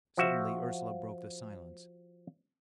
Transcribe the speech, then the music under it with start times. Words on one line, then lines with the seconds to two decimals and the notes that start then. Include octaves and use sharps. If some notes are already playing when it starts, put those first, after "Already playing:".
Suddenly Ursela broke the silence.
0.17 F3 F#4 E5